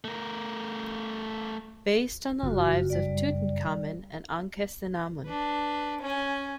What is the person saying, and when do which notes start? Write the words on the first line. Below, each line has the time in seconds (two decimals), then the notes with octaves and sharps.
Based on the lives of Tutankhamun and Ankhesenamun.
0.04 A3 A#4
2.43 F#1 G2 F4 F#4
2.90 G3 D5
5.26 D4 B4
6.01 C#4 G#5